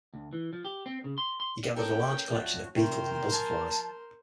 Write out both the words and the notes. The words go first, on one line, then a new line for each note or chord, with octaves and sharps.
He gathered a large collection of beetle and butterflies.
D2
E3
F3
G4
C4
C#3
C6
C6
B3 C#4 A4 A#4 G5
D2 F3 F#4
C3 D#3 A#4 C5 G5
F3 G#5 A5